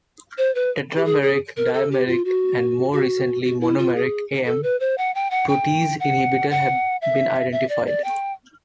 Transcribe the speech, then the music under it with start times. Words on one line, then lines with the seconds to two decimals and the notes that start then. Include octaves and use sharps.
Tetrameric, dimeric, and, more recently, monomeric aM protease inhibitors have been identified.
0.38 C5
0.55 B4
0.96 G4
1.05 G#4
1.22 G#4
1.57 A#4
1.74 A4
1.91 G4
2.07 F4
2.25 F#4
2.92 F#4
3.44 F#4
3.61 E4
3.78 F4
3.96 G#4
4.46 A4
4.63 B4
4.80 C5
4.98 F#5
5.15 G5
5.31 F#5
5.49 G5
6.00 F#5
6.51 F#5
7.02 E5
7.52 E5
7.69 D5
7.87 D5
8.04 G5